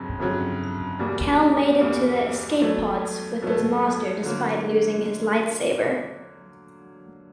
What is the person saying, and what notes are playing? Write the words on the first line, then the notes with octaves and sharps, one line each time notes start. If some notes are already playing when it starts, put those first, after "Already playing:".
Cal made it to the escape pods with his master despite losing his lightsaber.
Already playing: G1 F2 C#3 F#3
G1 F2 C#3 F#3
E2 B2 G3 A#3
E2 B2 G3 A#3
B2 F#3 A3
B2 F#3 A3
D3 F#3 A#3